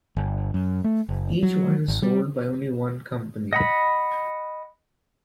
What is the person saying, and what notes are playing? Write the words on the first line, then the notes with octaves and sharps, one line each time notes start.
Each wine is sold by only one company.
G1
F#2
A3
F#1
F#3
G#1
G3
D#5 F#5 B5